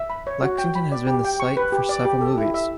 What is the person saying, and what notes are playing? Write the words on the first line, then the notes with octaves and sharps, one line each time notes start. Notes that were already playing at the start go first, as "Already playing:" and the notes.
Lexington has been the site for several movies.
Already playing: E5
B5
C#5
F#4
G5
B5
D5
G4
G5
C#6
B4
G4
D5
G4
A4
E4
E5